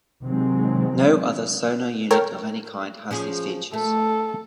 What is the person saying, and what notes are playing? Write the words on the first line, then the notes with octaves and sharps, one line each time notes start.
No other sonar unit of any kind had these features.
C3 D#3 F#3 G#3 C4
A4 A#4 C#5 G5 F6
F3 C#4 G#4
A3 A4